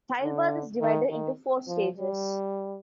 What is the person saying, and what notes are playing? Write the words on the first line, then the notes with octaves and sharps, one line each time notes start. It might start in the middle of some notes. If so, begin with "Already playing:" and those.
Childbirth is divided into four stages.
D3
D#3
D#3
F3
G3